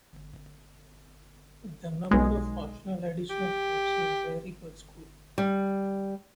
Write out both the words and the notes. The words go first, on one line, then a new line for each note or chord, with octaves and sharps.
The number of optional additional courses vary per school.
B1 G#3
G4
G3